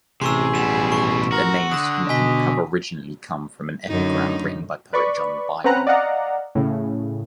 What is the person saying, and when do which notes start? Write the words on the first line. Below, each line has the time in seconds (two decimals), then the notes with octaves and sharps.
Their names may have originally come from an epigram written by poet John Byrom.
0.22 A1 C3 G#4 C6 C#6 E6
0.55 B2 G3 E7
0.92 C#6
1.32 F#4 A#4
1.71 D3 F#5 D#6 A#6
2.09 B2 D#5 G#5 B6
3.88 F#2 D3 D#4
4.93 B4 D5 B5 C#6
5.64 C4 C#4 B4 F#5 A#5 F#6
5.87 D5 D#5 F5 F#5 A#5
6.55 A2 C#3